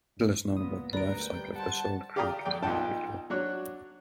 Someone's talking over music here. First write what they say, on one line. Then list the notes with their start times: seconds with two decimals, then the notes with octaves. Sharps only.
Little is known about the life cycle of the Salt Creek tiger beetle.
0.17 G2
0.55 C#2 A#2 B3 D#6
0.93 D2 G3 A#4 B4 D5 A#5 D7
1.23 G3 G5
1.56 C5 F#5 A5
2.16 G4 D5 F5 G5 A#5 D#6
2.45 F2 D5 G5
2.62 B1 D#4 F4 F#5 G5 A5
3.30 F#3 D4 F#4 C#5 F#6